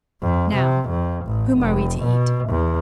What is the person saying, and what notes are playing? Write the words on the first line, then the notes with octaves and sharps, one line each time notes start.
"Now, whom are we to eat?"
F2
C3
F2
A1
F1
B2
E2